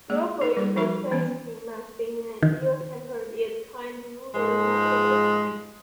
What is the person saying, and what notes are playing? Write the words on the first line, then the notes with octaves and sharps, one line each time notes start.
Geoffrey portrays him as being an ill-tempered yet kind ruler most of the time.
G#3 A#3 G#4
D#4 A4
G3 A#3 F4 G#4 D5
F3 D#4 F#4 A4 E5 C#6
E3 B3 C#4 D5
D#3
G#2 F3 G#3